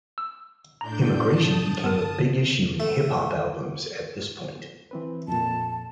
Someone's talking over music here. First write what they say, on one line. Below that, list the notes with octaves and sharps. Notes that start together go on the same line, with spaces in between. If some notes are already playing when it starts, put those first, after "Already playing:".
Immigration became a big issue in hip hop albums at this point.
E6
A2 D4 A#5 G6
C3 A5 D#6
G1 B3 A#4
A3
E3 C4 B4
F2 A#2 A5